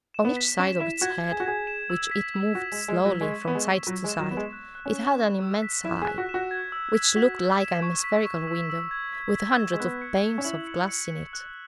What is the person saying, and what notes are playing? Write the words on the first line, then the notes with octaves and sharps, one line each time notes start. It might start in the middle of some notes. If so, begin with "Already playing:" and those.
On each side of its head, which it moved slowly from side to side, it had an immense eye, which looked like a hemispherical window, with hundreds of panes of glass in it.
E7
B3
B6
C#4 E7
E4 E7
F#4 G#6
G#6
G#4
F#4
G#4 G#6
E7
E6
B6
E6
F#4 E7
G#3
E7
G#3
E6
F#3
G#3 C#6
B3 G#6
G#3
C#6
F#3 C#6
G#3
E7
F#3
B3 E7
G#3
F#6
F#6
C#4
E7
C#6
E6
B6
E4 E7
G#4
F#6
F#4
E7
F#4
G#6
E6
B6
F#4 B6
E6
E7
C#6
B6
C#6
E6
E6
G#6
B6
B6
E7
G#3
B3 F#6
C#7
C#7
C#4
E4 F#7
C#7
C#7
C#7
F#6